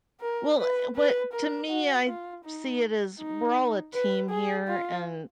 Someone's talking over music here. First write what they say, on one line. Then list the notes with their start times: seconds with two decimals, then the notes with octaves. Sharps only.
Well, what to me, I see it as we're all a team here, and
0.21 A#4
0.58 B4
0.96 B4
1.33 A#4
1.70 F#4
2.08 F4
2.45 D#4
3.19 D#4
3.93 B4
4.30 G#4
4.68 F4